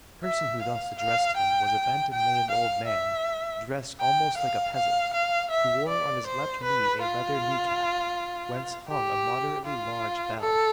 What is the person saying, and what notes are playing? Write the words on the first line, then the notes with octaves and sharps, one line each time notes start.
The person who thus addressed him was a bent and lame old man, dressed almost like a peasant, who wore on his left knee a leather knee-cap, whence hung a moderately large bell.
E5
F5
F5
G5
G5
F5
E5
G5
F5
F5
F5
E5
D5
C5
B4
F4
G4
F4
A4